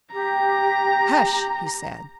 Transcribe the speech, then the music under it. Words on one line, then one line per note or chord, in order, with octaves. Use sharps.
"Hush!" he said.
G4 A#5